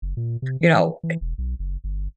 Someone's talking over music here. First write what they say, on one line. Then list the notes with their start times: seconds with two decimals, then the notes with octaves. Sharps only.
you know,
0.02 F#1
0.17 A#2
0.42 C3
0.61 E3
1.03 E3
1.21 E1
1.38 B1
1.59 F#1
1.84 G1